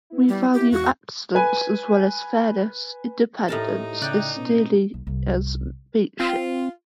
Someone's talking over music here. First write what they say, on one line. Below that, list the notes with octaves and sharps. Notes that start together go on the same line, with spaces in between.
We value excellence as well as fairness, independence as dearly as mateship.
B3 E4
G3
G4
E2 G#2 F#4 F5
B4 G#5
A2 D#4 G4 A#4 E5 A5
C#3 D5 E5 G5 F#6
B2 B3 C#4
B1
C2
C4 F4